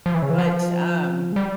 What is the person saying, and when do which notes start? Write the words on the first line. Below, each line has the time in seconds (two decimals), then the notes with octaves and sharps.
but, um,
0.06 F3
0.14 E3
0.22 C#3
0.30 E3
0.38 F3
1.32 G#3
1.36 G3